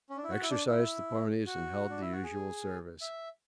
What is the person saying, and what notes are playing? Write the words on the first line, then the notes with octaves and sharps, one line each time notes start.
Exercised the ponies and held the usual service.
C#4
D4
E4
F#4
E4
D4
E4
F#4
D4
E4
F#4
G#4
E5